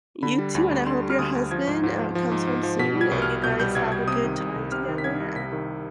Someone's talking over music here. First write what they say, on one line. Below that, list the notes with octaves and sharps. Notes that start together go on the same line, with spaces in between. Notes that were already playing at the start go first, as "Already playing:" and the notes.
You too, and I hope your husband, uh, comes home soon, and you guys have a good time together, a
D3 B5
G3
D2
D2
D3 C6
G3
F6
D2 D#6
D2
F3 G#6
G#2
G#2
F3
F3
G#2
G#2
F3
B2 B6
G3
G#6
C2
F6
C2
B2 G6
G3 G6
C2 G#6
C2 G#6
C3 D#6
D#3
C2
C2
C3 F6
D#3
B6
C2 G#6
C2
C3 B6
D#3